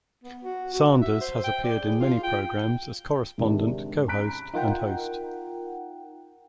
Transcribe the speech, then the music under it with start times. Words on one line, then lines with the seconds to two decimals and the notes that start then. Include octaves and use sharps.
Sanders has appeared in many programs as correspondent, co-host, and host.
0.24 B3
0.44 F#4
0.74 F#4
1.02 E5
1.21 C5
1.44 G5
1.64 D5
1.81 G#4
2.00 F4
2.23 G5
3.38 G#2 C3 D#3 D4
4.08 A#5 B5 F#6 B6 D7
4.54 D#4 F4 A#4 F#5 G5